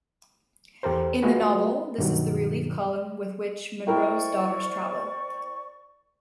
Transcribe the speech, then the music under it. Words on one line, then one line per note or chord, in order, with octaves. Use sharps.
In the novel, this is the relief column with which Monro's daughters travel.
E2 G4 A4 A#4 C5
G#3 A3 F4 F#4 G#4 B4
G2 B2 D#3 F#3
E4 A#4 C5 D5 G5 C#6